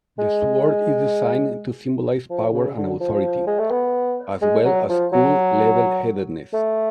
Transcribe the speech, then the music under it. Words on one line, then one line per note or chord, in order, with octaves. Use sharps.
The sword is designed to symbolize power and authority, as well as cool level-headedness.
G#3
F3
C#3
D3
F3
G#3
A3
B3
G#3
F#3
F3
F#3
A3